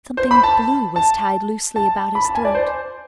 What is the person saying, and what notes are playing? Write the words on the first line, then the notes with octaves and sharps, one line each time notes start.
Something blue was tied loosely about his throat.
C5
B5
A5
A5
A5
B5
A5
G#5
D5
C5